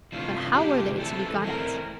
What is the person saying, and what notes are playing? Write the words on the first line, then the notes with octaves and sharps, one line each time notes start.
But how were they to be got at?
C3 E3 A3 D4 F4
C3 E3 A3 D4 G4
E3 A3 C4 E4 A4
E3 A3 C4 E4 A#4